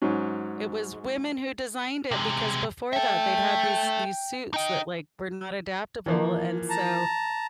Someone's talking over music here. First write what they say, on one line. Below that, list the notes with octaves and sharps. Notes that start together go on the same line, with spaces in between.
It was women who designed it because before that they'd had these these suits that, like, were not adaptable and so
G#2 F#3 C#4
C3 G#3
A4 E5 G5
D#4 D#5 G5
E3 F3 A#3
A5 A#5